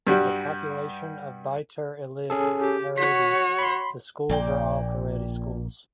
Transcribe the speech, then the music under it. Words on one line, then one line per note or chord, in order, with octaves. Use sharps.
As the population of Beitar Illit is Haredi, the schools are all Haredi schools.
G2 G3 F#4
C#4 G#4 A4
G4
F#4 C#5 B6
B5 C6
A#1 A#2 D5 G5